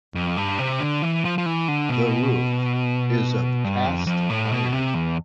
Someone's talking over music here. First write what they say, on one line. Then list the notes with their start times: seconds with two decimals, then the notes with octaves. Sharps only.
The roof is of cast iron.
0.15 F2
0.37 G2
0.59 C3
0.80 D3
1.02 E3
1.25 F3
1.38 F3
1.46 E3
1.68 D3
1.89 B2
3.64 G2
3.85 F2
4.07 F2
4.29 A2
4.51 B2
4.73 C3
4.94 E2